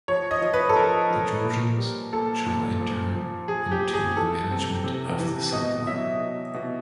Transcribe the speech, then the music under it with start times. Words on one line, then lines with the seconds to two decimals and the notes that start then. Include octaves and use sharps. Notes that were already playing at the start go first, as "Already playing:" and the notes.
The Georgians shall enter into the management of the silkworm.
0.08 F3 C#5
0.31 D#5
0.42 F3
0.54 B4
0.69 A4
0.76 F3 A#4
1.11 F3
1.44 A#2
1.78 G3
2.13 A#2 A4
2.46 A#2
2.80 F3
3.15 F3
3.48 F3 G#4
3.72 G4
3.82 F3
3.94 G#4
4.16 E3 A4
4.51 C3
4.84 C3
5.19 E3
5.52 B2 D#5
5.87 F#3 E5
6.20 B2
6.54 B2